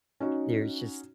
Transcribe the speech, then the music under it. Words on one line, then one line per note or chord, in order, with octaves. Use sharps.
There's just
C#4 D#4 F#4